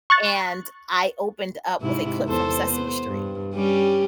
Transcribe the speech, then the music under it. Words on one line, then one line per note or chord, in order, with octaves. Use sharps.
and I opened up with a clip from Sesame Street.
C#6 F#6 A6
G#2 C3 E4
E2 A4 C5
B3 C5
G2
G3 C#4 G4